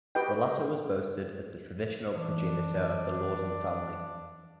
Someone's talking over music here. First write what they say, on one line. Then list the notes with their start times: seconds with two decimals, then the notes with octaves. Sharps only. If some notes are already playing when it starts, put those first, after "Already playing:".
The latter was boasted as the traditional progenitor of the Loredan family.
0.15 F#4 G4 B4 D#5 G5
2.16 E3 D4 D5